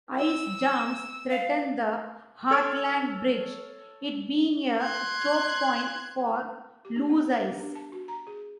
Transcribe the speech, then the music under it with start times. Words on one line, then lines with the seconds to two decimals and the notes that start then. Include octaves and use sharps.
Ice jams threaten the Hartland Bridge, it being a choke point for loose ice.
0.19 E6
1.31 F5
2.51 A4 C#5 F6 G#6 D7
4.82 C6 F#6 G#6
6.85 G4
6.96 D4
7.09 B3
7.32 A#4
7.48 G4
7.60 D4
7.75 A5
7.92 F#4
8.08 A#5
8.27 G#4